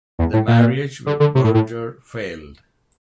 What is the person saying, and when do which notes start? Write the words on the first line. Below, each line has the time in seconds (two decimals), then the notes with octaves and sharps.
The marriage with Berger failed.
0.19 E2
0.33 A2
0.48 A#2
1.06 D3
1.20 D3
1.35 C3
1.44 A2
1.54 A2